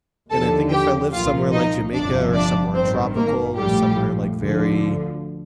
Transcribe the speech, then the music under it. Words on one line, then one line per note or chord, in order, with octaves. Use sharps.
and I think if I live somewhere like Jamaica or somewhere tropical or somewhere, like, very,
D#2 D3 F3 A4 A5
G4 G5
C2 A#2 F3 F4 F5
D#4 D#5
G1 F2 C3 F3 D4 D5
D4 D5
A1 G2 D#3 C4 C5
A#3 A#4
A#1 A2 F3 G3 G4
D2 D3 F3